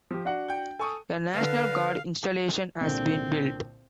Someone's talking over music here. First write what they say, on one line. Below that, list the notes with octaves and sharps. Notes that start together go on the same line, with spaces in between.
A National Guard installation has been built.
F3 G4
D4 F#4 F#5
G5 G6
A4 G#5 C#6 D#6
D3 B4 F5
C2 A#2 D3 C4